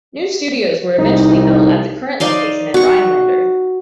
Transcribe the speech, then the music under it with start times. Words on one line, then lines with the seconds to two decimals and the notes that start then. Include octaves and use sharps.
New studios were eventually built at the current location in Rhinelander.
0.98 C2 D#4
2.20 D#4 D5 F5 C6
2.74 F#4 C#6